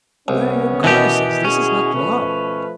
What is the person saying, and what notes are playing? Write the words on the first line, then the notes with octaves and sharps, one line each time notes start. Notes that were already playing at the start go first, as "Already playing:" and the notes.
Where are your goddesses? This is not love.'...
C2 B3 C#4
B2 D#3 E3 G4
C#4 E4 F#4 G#4
F3 A3 B4